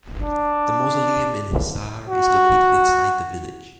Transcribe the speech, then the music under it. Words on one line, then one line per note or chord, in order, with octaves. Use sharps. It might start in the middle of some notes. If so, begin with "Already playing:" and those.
The mausoleum in Hisar is situated inside the village.
D4
F#4